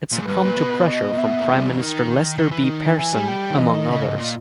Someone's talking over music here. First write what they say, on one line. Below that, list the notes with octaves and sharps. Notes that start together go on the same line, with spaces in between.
It succumbed to pressure from Prime Minister Lester B. Pearson, among others.
A#2
G#2
G2 B4
A#2
B2
D#5
A#2
B2 E5
A#3
G#3
G3
E3
D#3
D#3
E3
D#3
E3 G#5
G3
G5
D#3
E3 D#5
D#3
C#3
G#2
A#2